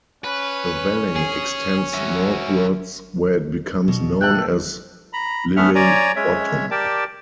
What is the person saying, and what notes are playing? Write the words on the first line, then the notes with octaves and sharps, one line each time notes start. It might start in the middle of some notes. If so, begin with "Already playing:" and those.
The valley extends northwards where it becomes known as Lilley Bottom.
C#4 B4
G#4
F#4 E5
B2
A4 E5 G5 F#6
A#5 B5
A3 B3 C#4 E5 F#5 F6
C#5 D5 G#5 A#5
G#3 C#4 C#5 E5
G4 A#4 D5 G5 A5